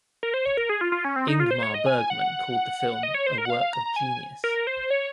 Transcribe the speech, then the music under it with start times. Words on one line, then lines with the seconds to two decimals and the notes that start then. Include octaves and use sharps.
Ingmar Bergman called the film a "work of genius".
0.23 A#4
0.34 C5
0.46 C#5
0.57 A#4
0.69 G#4
0.81 F4
0.92 F4
1.04 C#4
1.16 C4
1.28 D#4
1.40 F4
1.51 C5
1.63 C#5
1.74 D#5
1.86 G#5
1.98 G#5
2.10 F#5
3.03 D#5
3.14 C#5
3.26 C5
3.38 A#4
3.45 F#5
3.50 F5
3.61 F5
3.73 A#5
3.86 A#5
3.96 G#5
4.44 A#4
4.67 C5
4.90 C#5